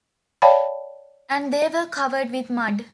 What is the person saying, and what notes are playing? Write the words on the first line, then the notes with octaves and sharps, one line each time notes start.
And they were covered with mud.
C#5 D5 F5 G5 A5 B5